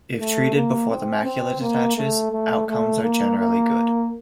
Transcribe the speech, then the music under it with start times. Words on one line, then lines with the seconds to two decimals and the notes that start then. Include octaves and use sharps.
If treated before the macula detaches outcomes are generally good.
0.20 A3
0.55 A#3
0.90 C4
1.25 C4
1.61 A#3
1.96 A3
2.32 A3
2.67 A3
3.02 A#3
3.38 A#3